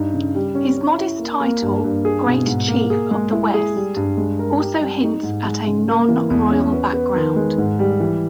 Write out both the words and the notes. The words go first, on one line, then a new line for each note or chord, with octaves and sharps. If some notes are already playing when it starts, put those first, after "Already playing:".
His modest title 'Great chief of the West' also hints at a non-royal background.
Already playing: G2 D#4
C#3
G3
C#4
C#4
E4
A#3
A#3
G2
G2
G#4
B2
G#2
A#3
G#4
G#3
E4
G#4
G3
G2
G#3
A#4
G4
G3
D#4
G#2
G#3
C#3
A#3
E3
E2
C#4
B3
B3
D#3
G#3
G#2
G3
E3